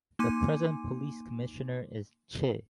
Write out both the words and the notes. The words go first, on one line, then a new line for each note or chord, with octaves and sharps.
The present Police commissioner is Ch.
A#3 D#4 G#5 C6 D6 D#7